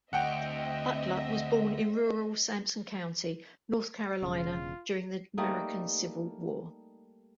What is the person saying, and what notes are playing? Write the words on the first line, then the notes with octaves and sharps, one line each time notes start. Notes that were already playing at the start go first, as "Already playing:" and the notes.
Butler was born in rural Sampson County, North Carolina during the American Civil War.
D2 C4 D#5 E5 F#5 G5
E1 C#3 F4
G3 A3 A#3 D#4